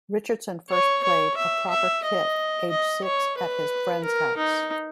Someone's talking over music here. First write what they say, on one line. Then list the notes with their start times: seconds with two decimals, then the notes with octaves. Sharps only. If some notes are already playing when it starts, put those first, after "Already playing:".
Richardson first played a proper kit aged six at his friends house.
0.70 C#5
1.04 C#5
1.37 E5
1.70 E5
2.04 D#5
2.70 D#5
3.04 C#5
3.38 B4
4.05 A#4
4.37 D#4